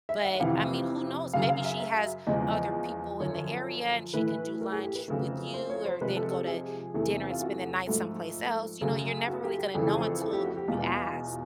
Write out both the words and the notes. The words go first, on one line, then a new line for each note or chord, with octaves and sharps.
but I mean, who knows? Maybe she has other people in the area and she can do lunch with you, or then go to dinner and spend the night someplace else, you know, you're never really gonna know until you ask.
E5
F#5
F#5
F2 C3 E3 F5
F#2 C#3 F#3 F5
F5
E5
E5
E2 C#3 F3 G#3 D#5
F#2 D3 F3 C#5
A2 E3 A3 B4
A#4
G#4
G4
B4
F2 C#3 F#3 A3
C5
C#5
C5
C3 F3 G#3 B4
A4
A4
G#4
E2 C3 E3 A3
F4
F#4
G#2 F3 A3
F#2 C#3 F#3 A3
F#4
G4
G4
F2 C#3 E3 A3 A4
G#4
A4
A4
G4
F#4
G4
E2 B2 G#3 F4